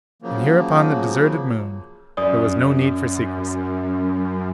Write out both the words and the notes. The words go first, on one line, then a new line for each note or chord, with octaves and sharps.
And here upon the deserted Moon there was no need for secrecy.
C#3 F3 F#3 A#3
F#2 D5 D#6